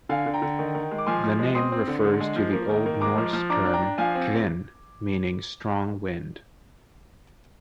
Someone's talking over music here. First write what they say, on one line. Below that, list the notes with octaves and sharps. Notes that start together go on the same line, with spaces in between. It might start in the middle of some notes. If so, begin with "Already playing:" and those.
The name refers to the old Norse term "kvin", meaning strong wind.
D3 F5 G#5
D3
G5 A#5
D3
D#3
D#3
G#3
D6
F3 G#5 C6
F3
G#3
C4 C6 D#6
C4
D3
D3
G#3
F3
A#3
D#3
A#3
G#3 A#5 D6
F3
F3
D4 A#5 D6
D4
G5 A#5
D4
F3 F5 G#5
C4